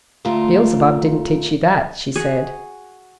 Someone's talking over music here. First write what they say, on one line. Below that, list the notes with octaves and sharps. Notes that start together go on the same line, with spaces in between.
'Beelzebub didn't teach you that,' she said.
D2 A#2 A3 F4 A#4
F#4 G#4